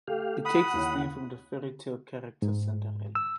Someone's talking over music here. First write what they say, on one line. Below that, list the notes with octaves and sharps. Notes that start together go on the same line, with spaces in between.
It takes its name from the fairy tale character Cinderella.
A3 G4 F5
F#5 B5 D#6
D#2 E4 C#5
G#2
E6